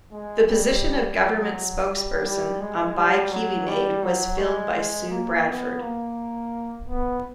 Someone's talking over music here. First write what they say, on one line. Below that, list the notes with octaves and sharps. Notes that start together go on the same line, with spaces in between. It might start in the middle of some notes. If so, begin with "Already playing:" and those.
The position of government spokesperson on Buy Kiwi Made was filled by Sue Bradford.
G#3
G3
F#3
G3
G3
G#3
G3
F#3
G3
F#3
G#3
G#3
A#3
B3
A#3
B3